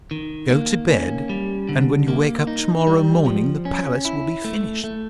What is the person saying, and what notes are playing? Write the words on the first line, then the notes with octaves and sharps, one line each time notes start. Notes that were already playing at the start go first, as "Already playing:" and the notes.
Go to bed, and when you wake up to-morrow morning the palace will be finished.
D#3
A#3
C#4
G3
D3
A#3
D#4
G3
F3
C#4
E4
A3
A3